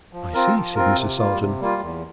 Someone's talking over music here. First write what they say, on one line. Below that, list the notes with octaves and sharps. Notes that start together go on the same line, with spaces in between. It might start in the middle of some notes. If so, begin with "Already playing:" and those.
"I see!" said Mrs. Salton.
F3
C4 F4 A#4
F3
C4 F4 A#4
C3
G3 A#3 F4
C3
G3 A#3 F4
E2